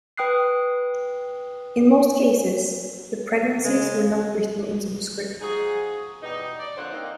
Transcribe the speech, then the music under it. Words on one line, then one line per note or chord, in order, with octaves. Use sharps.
In most cases, the pregnancies were not written into the script.
B4 G5 D#6 F#6 C7
C#3 G#3
F3 D#4 F#4 G#4
B2 E3 G3 D#4
D5
F2 D3 A#3 C5 C#5 F#5
A#3 C4 D#4